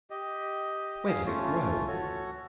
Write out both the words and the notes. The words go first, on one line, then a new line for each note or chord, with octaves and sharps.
Where does it grow?
G4 D#5
G#4 F5
A3 C#4 F4
F#4 A4 C#5